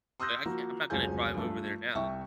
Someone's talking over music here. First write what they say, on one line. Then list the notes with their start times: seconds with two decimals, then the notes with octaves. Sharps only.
but I can't I'm not gonna drive over there now.
0.20 C6 D#6 E6 F#6 G6 A#6
0.46 F3 A#3 F#4
0.90 F1 C#2 F#3 G#4 G#5 G6
1.35 G2 F3 A3 A4
1.95 C2 E5 G5 C#6